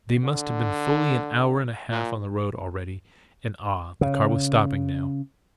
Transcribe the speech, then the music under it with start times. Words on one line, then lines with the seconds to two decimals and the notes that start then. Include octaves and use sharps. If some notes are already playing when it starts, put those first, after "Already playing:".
They must have been fully an hour and a half on the road already, and--ah, the car was stopping now!
0.24 D3
1.91 A#2
4.01 C#3